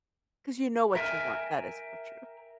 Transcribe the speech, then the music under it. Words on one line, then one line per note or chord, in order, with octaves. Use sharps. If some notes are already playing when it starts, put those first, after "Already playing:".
‘Cause you know what you want. That is for true.
A#4 E5 G5 G#5 F6